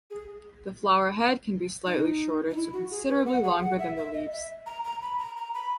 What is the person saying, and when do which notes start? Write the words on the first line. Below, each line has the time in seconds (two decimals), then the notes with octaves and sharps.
The flower head can be slightly shorter to considerably longer than the leaves.
0.11 G#4
1.86 D#4
2.51 D#4
2.56 E4
2.73 F#4
2.91 G#4
3.08 B4
3.26 F#5
3.44 G#4
3.61 F#5
3.79 E5
3.97 E5
4.13 D#5
4.32 E5
4.66 A#5
4.84 A#5
5.02 B5
5.19 A#5
5.37 A#5
5.54 B5